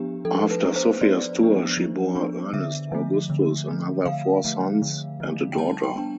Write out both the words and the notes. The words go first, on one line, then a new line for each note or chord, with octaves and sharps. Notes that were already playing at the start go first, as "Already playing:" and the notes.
After Sophia's tour, she bore Ernest Augustus another four sons and a daughter.
Already playing: F3 B3 D4 G4
F3 A4
B4
B3 D4
C5
F3 D5
B3 D4
F3
B3 D4
D3 E5
F3 A3
D3
F3 A3
D3 F5
F3 A3
D3
F3 A3
G5
G3 A5
G5
B3 D4